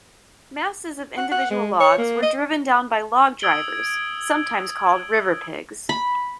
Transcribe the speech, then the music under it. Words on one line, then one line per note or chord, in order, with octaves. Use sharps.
Masses of individual logs were driven down by log drivers, sometimes called river pigs.
F#5
F#5
G#3
C#5
A#3
D#5
D#6 E6 G#6 D7 F#7 G7
B5